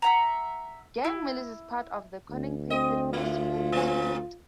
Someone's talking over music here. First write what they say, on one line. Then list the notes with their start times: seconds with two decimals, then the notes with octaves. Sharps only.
Gang Mills is part of the Corning-Painted Post School district.
0.02 E5 F#5 A#5
1.05 E4
2.30 D2
2.70 C4 D#5
3.13 G#3 E4 F4
3.72 A3 C4